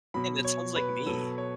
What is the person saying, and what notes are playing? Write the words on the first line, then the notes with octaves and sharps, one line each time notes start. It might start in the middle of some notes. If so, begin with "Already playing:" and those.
And that sounds like me.
B2 F#3 B5
C#5
B4
B2 F#3 A4
C#5